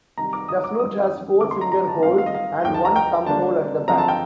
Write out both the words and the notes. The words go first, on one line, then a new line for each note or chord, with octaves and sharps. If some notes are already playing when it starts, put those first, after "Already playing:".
The flute has four finger holes and one thumb hole at the back.
C3 D#3 G3 A#5
D6
D#6
D6
F2 D#3 G3 C4 D#6
D3 A3 C4 D6
C6
A#5
A#5
A5
G2 D#3 A3 C4 F4 F5
F5
D#5
F5
D#2 D3 F3 G5
A5
A#5
G5
D3 G3 A#3 D4 F4 A5
D3 F3 C4 F4 A#5
A5
G5